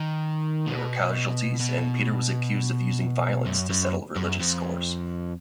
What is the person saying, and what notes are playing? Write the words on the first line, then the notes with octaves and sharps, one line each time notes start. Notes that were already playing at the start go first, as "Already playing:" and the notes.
There were casualties and Peter was accused of using violence to settle religious scores.
Already playing: D#3
B2
B2
F#2
F#2
F#2
F2